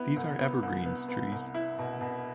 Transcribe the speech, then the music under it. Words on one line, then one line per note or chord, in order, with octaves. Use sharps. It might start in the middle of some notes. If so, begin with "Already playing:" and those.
These are evergreens trees.
Already playing: B3 E4
C2
B3
C2
B3
B3
C2
E4
B2
B2